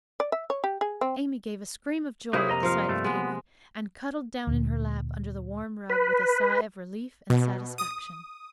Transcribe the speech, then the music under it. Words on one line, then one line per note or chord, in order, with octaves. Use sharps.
Amy gave a scream of joy at the sight of Katy, and cuddled down in her lap under the warm rug with a sigh of relief and satisfaction.
D5
E5
C#5
G4
G#4
C4
C3 A#3 D#4 E4 G#4
F2 D#5 A#5
F3 F5
G2 A3
G#3 B3
D2 A#2
B4
B2
D#6